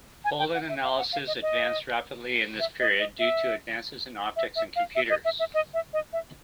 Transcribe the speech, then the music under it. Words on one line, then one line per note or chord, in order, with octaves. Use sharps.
Pollen analysis advanced rapidly in this period due to advances in optics and computers.
G#5
G5
F#5
E5
F5
F#5
F5
D#5
D#5
E5
D#5
D#5
E5
E5
E5
F5
E5
D#5
E5
E5
D#5
E5
D#5
E5